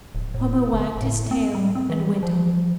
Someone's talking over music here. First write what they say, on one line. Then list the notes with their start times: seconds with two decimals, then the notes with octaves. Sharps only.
Homo wagged his tail, and went on.
0.15 D1
0.34 A2
0.72 G1
1.02 A2
1.31 C4
1.55 G3
1.75 C4
1.89 E3
2.23 F3